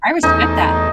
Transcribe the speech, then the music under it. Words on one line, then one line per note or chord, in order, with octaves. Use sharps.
I respect that.
E2 A3 D#4